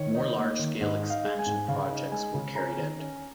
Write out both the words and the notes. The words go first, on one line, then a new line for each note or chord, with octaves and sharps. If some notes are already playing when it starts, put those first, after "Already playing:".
More large-scale expansion projects were carried out.
Already playing: D#3 C#5
D#4
A#3
D#3
G#2 D#5
D#4
F5
G#3
G#5
G#2
C#3 F5
D#4
G#3 G#5
C#3
C#4 A#5
D#3
C#4